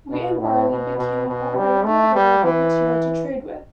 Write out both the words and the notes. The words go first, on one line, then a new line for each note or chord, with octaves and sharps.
Wheat and barley became a more readily available material to trade with.
B2
A2
B2
B2
B2
G3
A3
G3
E3